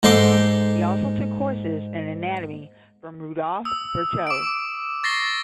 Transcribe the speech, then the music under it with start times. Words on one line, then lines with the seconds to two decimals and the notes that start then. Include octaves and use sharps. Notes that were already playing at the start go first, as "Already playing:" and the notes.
He also took courses in anatomy from Rudolf Virchow.
0.03 G#2 D#4 A4 C6 D6
3.65 D#6 E6
4.27 D6 D7
5.03 C#6 A6 A#6 C7 G7